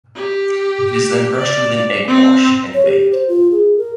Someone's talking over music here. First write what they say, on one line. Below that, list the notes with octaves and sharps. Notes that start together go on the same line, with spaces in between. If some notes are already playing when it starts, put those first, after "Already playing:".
It is then brushed with an egg wash and baked.
G4
D5
C4
C#5
G4
C5
F4
G#4
A#4